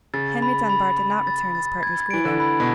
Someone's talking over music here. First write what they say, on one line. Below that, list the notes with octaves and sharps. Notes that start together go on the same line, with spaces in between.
Henry Dunbar did not return his partner's greeting.
C#3 A6
B5
B5
B5
A6
A6
G#6
E3 D7
D3
B5
B2